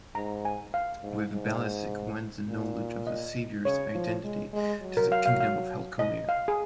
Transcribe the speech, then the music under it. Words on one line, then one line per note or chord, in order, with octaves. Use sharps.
With Balasik went the knowledge of the savior's identity to the kingdom of Halconia.
G#2 A#5
G#5
F5
G#2
G#2
A#2
D#5
C#3 C#5
F3
G#3
G#3
F#3
A#4
F5
F5
F5
D#5
F5
G#4